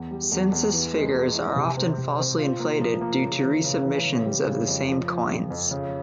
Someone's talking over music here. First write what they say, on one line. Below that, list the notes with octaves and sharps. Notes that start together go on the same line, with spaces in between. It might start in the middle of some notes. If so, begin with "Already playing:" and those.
Census figures are often falsely inflated due to resubmissions of the same coins.
Already playing: E2
G3
E2
E2
E3
G#3
G#3
E4
C3
C4
C3
C4
F4
A#3
F3
A#3
C#3
E3
C#3
E3
C#3
G3
C#3
F2
F3
F3
F3
F2
C#3